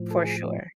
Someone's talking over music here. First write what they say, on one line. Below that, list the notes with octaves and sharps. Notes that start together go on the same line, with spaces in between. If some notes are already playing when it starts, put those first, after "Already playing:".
For sure.
Already playing: A2 F3
A4
G#4